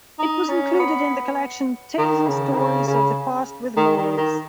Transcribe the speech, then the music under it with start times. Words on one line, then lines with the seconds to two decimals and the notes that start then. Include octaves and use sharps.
It was included in the collection Tales and Stories of the Past with Morals.
0.19 D#4
0.49 C#4
0.74 C#4
0.79 B3
1.98 D#3
2.28 C#3
2.53 D#3
2.58 C#3
2.88 C#3
3.77 D#3
3.97 D#3
4.17 D#3